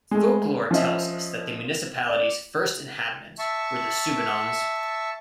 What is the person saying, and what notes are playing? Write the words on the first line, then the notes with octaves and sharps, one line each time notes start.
Folklore tell us that the municipality's first inhabitants were the Subanons.
G#3 A3
F3 C#4 F4 D#5 E5
D5
E5 A5 C#6